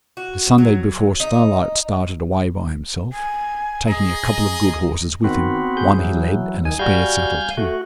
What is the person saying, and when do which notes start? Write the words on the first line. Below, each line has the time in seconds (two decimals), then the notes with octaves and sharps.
The Sunday before Starlight started away by himself, taking a couple of good horses with him--one he led, and a spare saddle too.
0.17 F#4
0.58 F#3
1.20 D#4
3.13 G#5
3.87 G#4 D#5 A#5
5.24 D#3 B3 C4 F#4
5.77 G#4 G6
5.99 E3 F#3
6.65 D#2 D#3 G#5
6.79 G3 F#4 F5 G#5 G6
7.57 A3 F#4